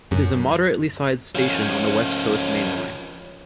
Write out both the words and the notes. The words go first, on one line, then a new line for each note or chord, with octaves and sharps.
It is a moderately-sized station on the West Coast Main Line.
F#2
F3 C#4